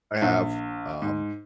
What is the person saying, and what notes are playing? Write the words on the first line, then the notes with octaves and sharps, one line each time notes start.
I have, um,
A#1
G#2